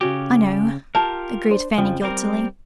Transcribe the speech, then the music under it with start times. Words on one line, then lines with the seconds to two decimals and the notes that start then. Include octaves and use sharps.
"I know," agreed Fanny guiltily.
0.01 C#3 C#4 F#4 G4
0.95 F4 G4 A#4 A5
1.51 D4 C5
1.78 F2 C#3 F3 G5
2.02 G3 C4 A#4